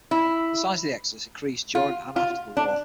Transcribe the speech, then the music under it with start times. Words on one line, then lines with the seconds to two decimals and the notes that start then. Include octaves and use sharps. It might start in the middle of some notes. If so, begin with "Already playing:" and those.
The size of the exodus increased during and after the war.
0.11 E4
1.75 F4
2.16 F4
2.57 D4